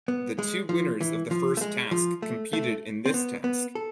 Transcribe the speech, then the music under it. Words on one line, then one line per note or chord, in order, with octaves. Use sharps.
The two winners of the first task competed in this task.
B3
G#3
F3
E3
F3
A3
G#3
F3
A3
A3
C4
B3
B3
A4